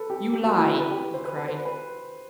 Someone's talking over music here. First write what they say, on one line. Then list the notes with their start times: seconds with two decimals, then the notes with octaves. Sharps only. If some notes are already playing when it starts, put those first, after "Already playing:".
"You lie!" he cried.
Already playing: A4 B4
0.10 G4
0.33 G4
0.44 F#4
0.55 E4
0.67 B4
0.79 B4
0.91 G4
1.14 C5
1.25 B4
1.36 B4
1.48 C5
1.65 B4